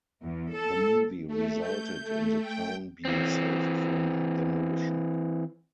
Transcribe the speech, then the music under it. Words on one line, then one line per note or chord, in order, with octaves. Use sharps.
The movie resulted in the town being saved from demolition.
E2
A4
A3
G6
A3
G5
E3 C4